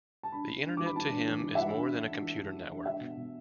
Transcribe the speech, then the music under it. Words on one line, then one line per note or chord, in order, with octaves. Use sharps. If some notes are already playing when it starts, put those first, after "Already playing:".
The Internet to him is more than a computer network.
A5
D4 B5
D4
D4
E3 D6
B5
E3 A5
D4
E3
E3
E5
E3 F#5
D4
D4
D4
E3
E3
E3
D4
D4 E5
B2
B2